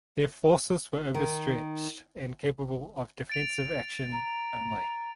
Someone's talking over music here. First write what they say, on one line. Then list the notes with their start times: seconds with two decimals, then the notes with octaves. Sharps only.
Their forces were overstretched and capable of defensive action only.
1.14 D#3
3.29 A6 D7 F7
4.12 A#5